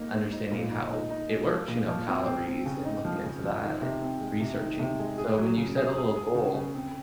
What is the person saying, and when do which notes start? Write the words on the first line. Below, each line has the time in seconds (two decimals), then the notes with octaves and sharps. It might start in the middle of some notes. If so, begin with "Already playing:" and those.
understanding how it works, you know, calories and looking into that and researching. So, when you set a little goal,
Already playing: A#3 D#4
0.13 C5
0.32 D#4
0.52 A#2
0.71 D#4
0.91 D#4
1.10 D#4
1.29 G#3
1.48 F3
1.68 A#2
1.88 F3
2.07 C4
2.27 C4
2.46 C4
2.66 C#3
2.85 D#4
3.05 F3
3.24 C#3
3.44 F3
3.62 D#3
3.82 C3
4.01 C4
4.21 G#3
4.40 C3
4.60 D#3
4.79 C3
4.99 G#3
5.18 G#4
5.38 F#3
5.57 C#3
5.77 G#4
5.96 G#4
6.16 G#4
6.35 C#3
6.54 C#3
6.74 C4